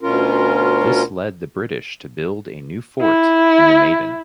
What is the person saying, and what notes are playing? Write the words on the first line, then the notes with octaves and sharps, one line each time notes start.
This led the British to build a new fort in the Maidan.
D2 B2 C#4 F4 A#4
E4